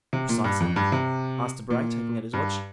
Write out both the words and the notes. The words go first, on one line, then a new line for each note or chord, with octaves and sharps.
"Precisely?" asked Debray, taking out his watch.
C3
A#2
G2
F2
G2
C3
A#2
G2